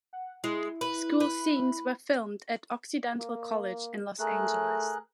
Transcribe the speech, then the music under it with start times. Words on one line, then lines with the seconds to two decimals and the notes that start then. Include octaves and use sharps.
School scenes were filmed at Occidental College in Los Angeles.
0.13 F#5
0.44 G#3 E4
0.81 B4
1.20 B4
3.19 A#3
4.19 A3 G#4 A#4 F#6